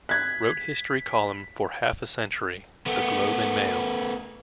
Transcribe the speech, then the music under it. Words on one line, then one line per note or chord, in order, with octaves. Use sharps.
"Wrote history column for half a century" The Globe and Mail.
F#6 G#6 B6
A3 B3